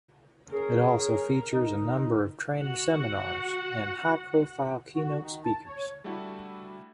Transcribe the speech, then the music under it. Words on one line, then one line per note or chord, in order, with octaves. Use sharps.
It also features a number of training seminars and high-profile keynote speakers.
C#4 G#4 A#4
D#4
F#4 F#5
F#4
D#3
A5
C#5
G3 A3 D4 E4 F#4